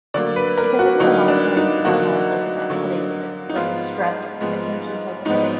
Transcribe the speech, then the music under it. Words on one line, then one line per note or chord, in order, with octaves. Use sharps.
Because I know a lotta times if I have, like, a bad headache, and it's, like, a stress or a t a tension type of headache,
D3 F#3 A#3 D5
B4
A#4
F#4
D3 F#3 A#3 D#4
D4
D#4
D3 F#3 A#3 F#4
D3 F#3 A#3
D#4
G#2 F3 G#3 B3 F4
G#2 F3 G#3 B3
G#2 F3 G#3 B3 D#4